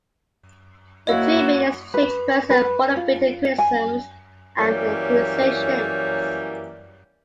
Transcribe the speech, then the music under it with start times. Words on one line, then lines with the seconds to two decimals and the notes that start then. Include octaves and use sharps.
The two men exchanged verses full of bitter criticisms and accusations.
1.07 A#3 E4 F#4 C#5 D#5 F5
1.94 B4
2.50 B4
2.96 F4
3.58 G#5
4.59 E3 F#3 G3 A#3 C#4